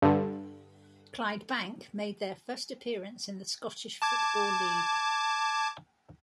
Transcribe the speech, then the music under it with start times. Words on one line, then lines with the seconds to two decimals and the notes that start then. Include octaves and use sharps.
Clydebank made their first appearance in the Scottish Football League.
0.02 G2 D3
4.02 A5 D6 G#6